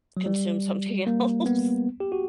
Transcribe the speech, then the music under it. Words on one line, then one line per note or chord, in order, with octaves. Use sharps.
consume something else.
F#3
G3
A#3
B3
G4
F#4